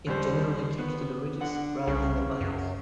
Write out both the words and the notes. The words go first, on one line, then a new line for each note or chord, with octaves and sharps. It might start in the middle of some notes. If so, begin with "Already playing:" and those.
It generally keeps to the ridges rather than the valleys.
D#2 G3 C5
B3
D3 F#5
C2 C#3
F#2